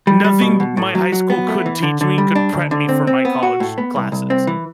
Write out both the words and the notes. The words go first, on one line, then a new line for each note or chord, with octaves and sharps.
nothing my high school could teach me, could prep me for my college classes.
G3
G3
B2
B2
A2
F#3
F#3
B3
A3
E3
D3
D3
G3
D4
D2
D3
C4
C4
B3
F#4
A2
B3
C2
C2
C4
E3